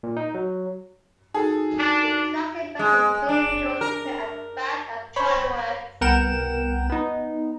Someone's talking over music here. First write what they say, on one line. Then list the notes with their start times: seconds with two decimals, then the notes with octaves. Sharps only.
Its flagship brands include Victoria's Secret and Bath and Body Works.
0.03 A#2
0.17 D#4
0.34 F#3
1.34 D#4 F#4 G#4 A4
1.78 D4
2.79 G#3
3.29 D4
3.81 A#4
5.16 C5 C#5 B5
6.01 C2 B3 A#4 F#5 G5 E7
6.90 B3 D#4